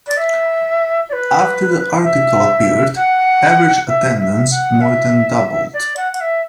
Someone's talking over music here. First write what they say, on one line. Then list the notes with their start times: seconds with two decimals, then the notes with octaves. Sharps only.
After the article appeared, average attendance more than doubled.
0.07 D5
0.17 E5
1.09 D5
1.13 B4
2.03 E5
2.96 F#5
3.88 E5
4.19 E5
4.50 F#5
4.81 E5
5.73 D5
5.96 F#5
6.13 F#5
6.20 E5